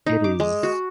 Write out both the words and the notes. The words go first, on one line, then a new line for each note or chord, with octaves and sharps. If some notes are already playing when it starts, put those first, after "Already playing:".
It is.
D#4
D6
G#3
F#4